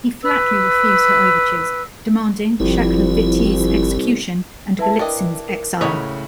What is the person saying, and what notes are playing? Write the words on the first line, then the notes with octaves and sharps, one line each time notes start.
He flatly refused her overtures, demanding Shaklovityi's execution and Golitsyn's exile.
B4 E6
G1 C2 F3 E4
E4 B4 E5 A5
D4 A#4 D#5 G5 C#6
A#4
A2 C#3 C#5 D#5 F#5 A#5 B5 D#6